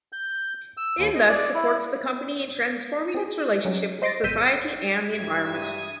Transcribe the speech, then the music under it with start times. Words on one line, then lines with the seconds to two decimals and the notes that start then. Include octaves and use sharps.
It thus supports the company in transforming its relationship with society and the environment.
0.12 G6
0.77 E6
0.98 D#2
1.15 D#5
1.29 D5
1.55 E4
3.14 C4 G#4
3.65 F#3 C#4 D#4
4.02 C5 D#5 C6 D6 A6 A#6
4.24 G1 B2 E6 G6 B6 D#7
5.14 G2 E5 G#6
5.56 D#6